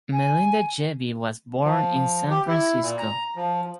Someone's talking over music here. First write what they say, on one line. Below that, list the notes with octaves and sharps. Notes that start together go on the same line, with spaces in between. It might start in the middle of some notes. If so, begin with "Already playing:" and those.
Melinda Gebbie was born in San Francisco.
G#5
F3
G4
E4
A#2
A#5
F3